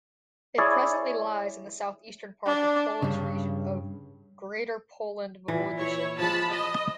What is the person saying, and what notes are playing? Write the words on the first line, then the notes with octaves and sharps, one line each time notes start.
It presently lies in the south-eastern part of Polish region of Greater Poland Voivodeship.
E4 G#4 C#5 D5
D4
G2 C#3
A#2 E3
E4 C#5
F3 G#3 A5 B5
D#5